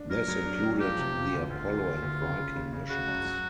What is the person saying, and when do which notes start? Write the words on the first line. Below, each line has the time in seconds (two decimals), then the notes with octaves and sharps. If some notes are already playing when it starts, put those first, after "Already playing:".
This included the Apollo and Viking missions.
Already playing: D4
0.10 F#3 A#4
0.28 F#3
0.45 D4
0.63 F#3
0.80 F3 G4
0.98 C3
1.16 F3
1.33 D2
1.50 D2 F4
1.68 D2
1.85 D2
2.02 D2
2.20 C#3
2.38 C#3
2.55 C#3
2.73 C#3
2.90 C#3 F#4
3.08 F#2
3.25 F#3